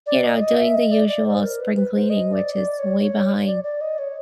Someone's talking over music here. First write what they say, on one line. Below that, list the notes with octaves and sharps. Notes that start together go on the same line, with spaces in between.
you know, doing the usual spring cleaning, which is way behind.
D5
D#5
D#5
E5
D#5
D5
D5
C5
A#4
B4
B4
C5
D#5
D5
D5
C#5
C#5
D5
D5
D#5
C#5